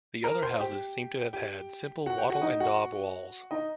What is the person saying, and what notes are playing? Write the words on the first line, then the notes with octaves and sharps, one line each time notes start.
The other houses seem to have had simple wattle and daub walls.
A#4 A#5
C5 C6
G4 G5
G4 G5
F#4 F#5
G4 G5
F#4 F#5
D#4 D#5
F#4 F#5
D#4 D#5